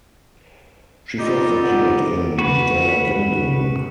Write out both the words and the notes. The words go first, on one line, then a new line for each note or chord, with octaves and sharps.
She first appeared in "Dalaginding".
B3 C4 D#4 F4 G4 D5 D#5
F#5
F#4 B4